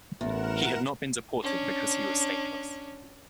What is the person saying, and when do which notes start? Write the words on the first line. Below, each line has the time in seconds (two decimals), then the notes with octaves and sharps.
He had not been deported because he was stateless.
0.21 A1 E2 A#4 F#5 E7
1.42 C#4 D4